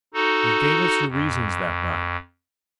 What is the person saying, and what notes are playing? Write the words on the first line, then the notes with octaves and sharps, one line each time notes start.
You gave us your reasons that night.
D#4 F#4 A4
F2